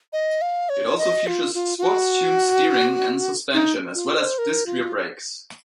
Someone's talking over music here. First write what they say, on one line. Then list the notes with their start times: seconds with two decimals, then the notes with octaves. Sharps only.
It also features sports tuned steering and suspension as well as disc rear brakes.
0.13 D#5
0.42 F5
0.69 C#5
0.98 D#5
1.27 F4
1.54 F4
1.78 F4
1.83 F#4
3.53 D#4
3.95 F4
4.17 C5
4.38 A#4
4.66 F4